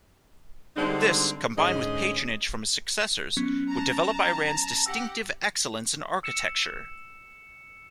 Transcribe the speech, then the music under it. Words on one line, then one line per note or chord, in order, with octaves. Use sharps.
This, combined with patronage from his successors, would develop Iran's distinctive excellence in architecture.
D3 G3 G#3 C4 D4 D#4
G#2 D3 C#4 G#4 D#5
F#3 B3 C#4
A5 A#5
G4 F#5 E6 A#6
E6 C#7 E7